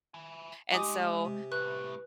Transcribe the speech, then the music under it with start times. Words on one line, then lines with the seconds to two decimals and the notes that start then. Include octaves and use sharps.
and so,
0.14 E4 G#5
0.71 G#3 D#4 G4 G#5 D6 D#6
1.25 C3
1.52 C2 A2 B4 F#6